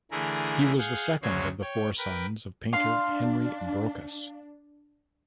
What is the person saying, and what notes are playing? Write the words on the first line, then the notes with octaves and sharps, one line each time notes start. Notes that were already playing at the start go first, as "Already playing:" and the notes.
He was the second of the four sons of painter Henry Brocas.
D3 E3 A3 G#4 A#4
G#4 F5 F#5 G6
D2 C#3 F#3 C#5 C6
C#5 G5
A#4 B4 G5
D4 F5 C6